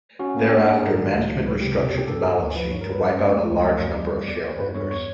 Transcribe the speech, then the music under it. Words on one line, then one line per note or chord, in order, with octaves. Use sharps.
Thereafter management restructured the balance sheet to wipe out a large number of shareholders.
C#4 F#4
A#3
D4 G4
D4 G#4
G#2 A#4
D#3
C#2
F#3
C#2 B4
C3 G4
B2 F#4
G4
E2
G4
G2 A4
E3
D2 A#4
F3 B4
G2 C#5
A#4
G3 B4
C#4 C5
G#3
A3
D2
C#5
F3 D5
F#2 D#5
G3
G3
E2 D5
E2 C5
G2 B4
G2 C#5
C#5